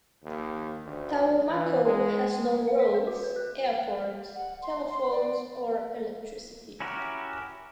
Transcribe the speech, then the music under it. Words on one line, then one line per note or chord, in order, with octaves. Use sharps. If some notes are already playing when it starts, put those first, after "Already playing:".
Taumako has no roads, airport, telephones, or electricity.
D#2
D2
E3
G#3
F5
B6
B4
F#4
B4
F#6
F#5
C6
C6
D5
C#4 E4 F#4 G4 A#4